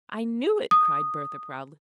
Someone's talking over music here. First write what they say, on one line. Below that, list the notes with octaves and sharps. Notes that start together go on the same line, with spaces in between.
"I knew it!" cried Bertha, proudly.
D#6